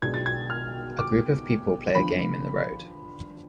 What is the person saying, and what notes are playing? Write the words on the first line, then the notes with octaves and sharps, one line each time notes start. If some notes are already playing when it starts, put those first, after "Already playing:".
A group of people play a game in the road.
B1 B2 G#3 B3 D4 G#6
A6
G#6
F6
D6
D3 F3 B3 B5